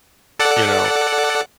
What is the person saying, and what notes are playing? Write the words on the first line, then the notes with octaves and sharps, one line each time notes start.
you know,
A4 D5 F#5